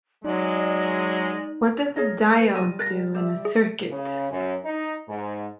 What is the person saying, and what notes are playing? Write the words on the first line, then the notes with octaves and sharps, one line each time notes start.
What does a diode do in a circuit?
F#3 G#3 D#4 D5
G#4 C#5 D#5 F5 A#5
B4 C#7
G3 C5 D#5 G#5 A5
A#4 F5 A5 F#6 A6 A#6
C5 D5 E5
G#4
C#3
F#2
D#4
G#2